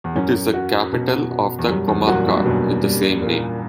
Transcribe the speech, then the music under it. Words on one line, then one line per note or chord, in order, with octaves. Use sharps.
It is the capital of the comarca with the same name.
E2
F#2 C#4
F#4
B2
F#4
E2
F#2 G3
E2 G2
F#2 A#2 F#4
E2 G2
G2
F#2 B2
G3
A#2